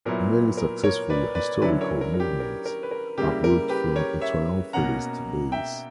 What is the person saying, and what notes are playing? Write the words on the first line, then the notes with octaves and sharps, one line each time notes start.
Many successful historical movements have worked from a triumphalist base.
A#2 F#3 B3 E4 A#4
A#4
A#4 C#5
B4 D5
B4 D5
D3 F#3 C#4 E4 B4 D5
A#4 C#5
A#4
A#4
G4
A#4
A#4
B4
A#4
C#3 G3 A#3 E4 G4
A#4
G4 B4
A#4 C#5
C#5 E5
B2 A#3 C#4 F#5 A#5
E5 G5